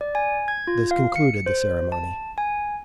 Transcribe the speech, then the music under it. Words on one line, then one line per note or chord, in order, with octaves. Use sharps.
This concluded the ceremony.
D5
G#5
G#6
F4
F5
C#7
C5
A5
G#5